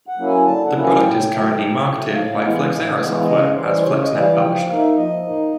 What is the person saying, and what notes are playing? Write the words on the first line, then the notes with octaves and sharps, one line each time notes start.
The product is currently marketed by Flexera Software as FlexNet Publisher.
F#5
F#3 A#3 C#4 E4
G#5
D3 A5
F#5
F#3 A#3 C#4 E4
G#5
A2 G5
F#3 A3
A2
F#3 A3
A2 F5
E3 G#3 B3
A2
E3 G#3 B3
C#3 D#5
E3 G3 C5
C#3 C#5
D#5
E3 G3
F5
F3 G5
F5
A#3 D#4
E5
F3 D#5
A#3
D#4